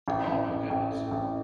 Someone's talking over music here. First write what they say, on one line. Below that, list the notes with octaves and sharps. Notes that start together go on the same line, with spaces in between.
Oh my goodness.
A1
A1
A1
A1
A2
A1